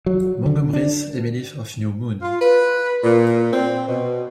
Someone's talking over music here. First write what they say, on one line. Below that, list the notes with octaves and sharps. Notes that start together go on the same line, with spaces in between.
Montgomery's Emily of New Moon.
F#3
D3
D4
F4
B4
A#2
C4
B2